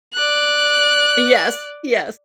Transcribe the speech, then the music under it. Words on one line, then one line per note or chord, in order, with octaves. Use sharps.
Yes. Yes.
D5 F#6